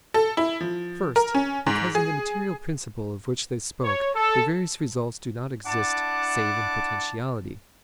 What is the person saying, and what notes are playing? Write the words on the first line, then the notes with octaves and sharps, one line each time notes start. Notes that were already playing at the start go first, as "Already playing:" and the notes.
First, because in the material principle of which they spoke, the various results do not exist save in potentiality.
A4
E4
F3
A#4
C#4
G#2
G#4
C#5
A4
D4 E4 F#5 A5 D6